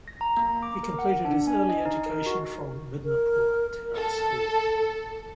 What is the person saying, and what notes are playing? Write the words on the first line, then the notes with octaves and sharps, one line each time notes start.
He completed his early education from Midnapur Town School.
A#6
A#5
A#3
D6
A#4
F#5
D4
G#5
D#5
D#4
A#4
F#4
A#4
A4